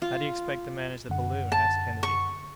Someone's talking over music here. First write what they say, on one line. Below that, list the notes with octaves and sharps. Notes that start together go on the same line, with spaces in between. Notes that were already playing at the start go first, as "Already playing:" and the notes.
"How do you expect to manage the balloon?" asked Kennedy.
F4
F#2 D3 F#5
A5
C#6